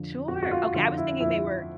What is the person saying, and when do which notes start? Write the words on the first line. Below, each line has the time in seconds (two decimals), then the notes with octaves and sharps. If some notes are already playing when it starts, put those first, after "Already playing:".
Sure, okay, I was thinking they were
Already playing: F2 D3 F3
0.28 F2 F#4
0.43 F#4
0.51 F4
0.74 D3 F3 F4
0.98 E4
1.21 F2 E4